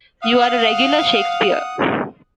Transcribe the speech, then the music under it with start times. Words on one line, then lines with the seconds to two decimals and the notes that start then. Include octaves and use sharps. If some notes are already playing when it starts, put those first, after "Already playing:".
You're a regular Shakespeare!
0.23 F5 F#5 D#6